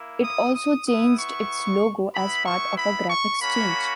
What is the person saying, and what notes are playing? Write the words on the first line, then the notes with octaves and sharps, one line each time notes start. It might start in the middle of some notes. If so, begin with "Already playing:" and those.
It also changed its logo as part of a graphics change.
Already playing: A#3 E4
D#6
D#6
B3 E4 D#6
C#6
B3 E4 B5
C#6
B5
C#6
A#3 C#4 F#4 B5